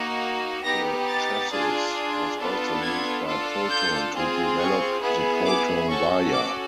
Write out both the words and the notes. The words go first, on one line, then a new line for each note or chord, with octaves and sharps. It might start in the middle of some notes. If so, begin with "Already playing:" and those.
The chassis was also used by Proton to develop the Proton Waja.
Already playing: A#3 D#4 F#4
B3 D#4 G4 A#6
A6
D4 F4 G#4
B3 D4 F4 A4
G#6
D4 F4 A4
G6
C4 F4 G#4
C#6
B3 E4 G#4
D6
C#4 F#4 A4 C#6
D6